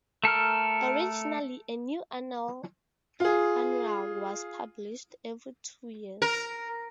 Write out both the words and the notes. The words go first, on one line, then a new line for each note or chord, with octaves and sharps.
Originally a new annual was published every two years.
A3 A4 A#4 F6
F4 G#4
A#4